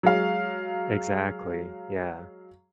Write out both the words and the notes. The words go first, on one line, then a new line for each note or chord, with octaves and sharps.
Exactly, yeah.
F#3 G#3 F5